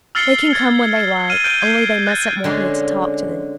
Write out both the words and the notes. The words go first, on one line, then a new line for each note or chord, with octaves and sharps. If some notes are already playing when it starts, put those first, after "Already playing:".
They can come when they like, only they mustn't want me to talk to them.'
E6 F6 A6 C7 C#7 G7
E6 G#6 A6
F6 D#7
F6 G6 D7 D#7 G7
G6 G#6 C7
F#6 A6 D#7
D3 G#3 C#4